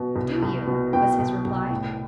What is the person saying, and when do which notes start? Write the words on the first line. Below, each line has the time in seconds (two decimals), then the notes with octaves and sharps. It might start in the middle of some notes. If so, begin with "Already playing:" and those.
"Do you?" was his reply.
Already playing: B2
0.16 C2
0.43 C2
0.67 B2
0.93 B2 G5
1.19 C2
1.45 C2
1.70 A2